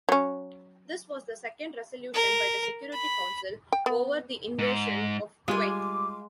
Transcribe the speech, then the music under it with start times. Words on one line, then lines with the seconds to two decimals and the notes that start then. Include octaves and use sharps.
This was the second resolution by the Security Council over the invasion of Kuwait.
0.09 F#3 C#4
2.14 A#4
2.92 B5
3.72 G5
3.86 B3
4.59 G#2
5.48 G3 G#3 F4 G#5 D6